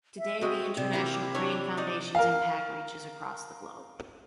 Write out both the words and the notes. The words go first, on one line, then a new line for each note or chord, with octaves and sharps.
Today, the International Crane Foundation's impact reaches across the globe.
E5
G#3 C4 F#4
C3 D5
E3 A#3 E4 G4
E3 D4 C#5
D#4 D5
A#4 F5